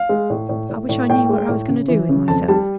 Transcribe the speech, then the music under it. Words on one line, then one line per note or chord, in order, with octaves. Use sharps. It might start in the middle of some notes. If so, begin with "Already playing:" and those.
"I wish I knew what I was going to do with myself."
Already playing: F5
G#3
A2
A2
A2
A2
A2 G5
G#3
A2
C#3
E3
C#3
F2 A5
G3 A5